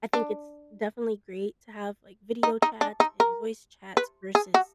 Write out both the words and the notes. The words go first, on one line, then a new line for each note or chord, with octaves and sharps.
I think it's definitely great to have, like, video chats and voice chats versus
D4
D#4
D#4
D4
D#4
A#4
B4
G#4
F#4